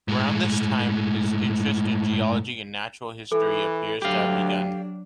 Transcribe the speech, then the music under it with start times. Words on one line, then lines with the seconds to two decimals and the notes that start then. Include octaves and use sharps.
Around this time his interest in geology and natural history appears to have begun.
0.08 A2 G#3
3.32 E3 A4
4.02 D2 F#3 D4 G4 F5